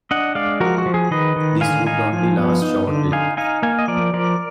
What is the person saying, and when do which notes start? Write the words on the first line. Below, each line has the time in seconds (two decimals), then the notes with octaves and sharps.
This would only last shortly.
0.11 D4 D#5 F#5
0.35 G#3 D5 F5
0.60 F3 F#4 A#4
0.78 F#4
0.86 F3
0.94 G#4
1.11 D#3 B4 D#5
1.36 D#3
1.61 D3 F5 G#5
1.87 D#4 F5 G#5
2.12 F3
2.37 B3
2.62 D#4
2.87 D3
3.12 D#4 F5 G#5
3.37 D#4 F5 G#5
3.63 A#3 F5 G#5
3.79 D#5
3.88 F3 A#4 D5
4.13 F3 A#4 D5